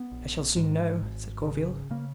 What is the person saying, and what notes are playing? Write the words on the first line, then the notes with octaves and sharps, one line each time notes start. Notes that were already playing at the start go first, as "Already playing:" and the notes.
"I shall soon know," said Gourville.
Already playing: B3
A#1
G#2
G#1
C#3
C#3 A#3